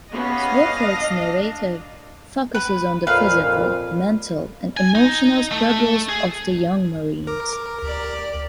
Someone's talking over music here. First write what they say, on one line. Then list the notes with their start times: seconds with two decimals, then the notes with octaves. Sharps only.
Swofford's narrative focuses on the physical, mental and emotional struggles of the young Marines.
0.12 B3 C#4 G4 D#5 F5
0.78 D4
2.55 B4
3.07 F2 A#2 B4 F5
4.77 G#5
4.96 D#4
5.52 A3
6.09 G#4
7.27 A#4 D6
7.82 D2 G4 D5